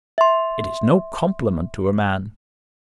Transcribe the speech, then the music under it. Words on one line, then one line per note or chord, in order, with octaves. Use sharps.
It is no compliment to a man.
E5 C6